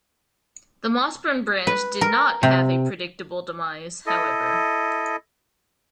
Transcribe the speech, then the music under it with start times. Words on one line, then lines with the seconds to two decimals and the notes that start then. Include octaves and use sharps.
The Mossburn Branch did not have a predictable demise, however.
1.67 B4
2.01 A#4
2.43 C3
4.06 E4 A4 D#5